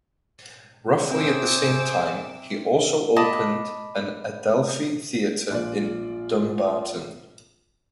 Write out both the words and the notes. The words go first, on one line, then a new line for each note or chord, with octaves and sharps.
Roughly at the same time he also opened an Adelphi Theatre in Dumbarton.
C3 G#4 C5 D6 E6
D#5 A5 B5 D6
A#1 F4 D5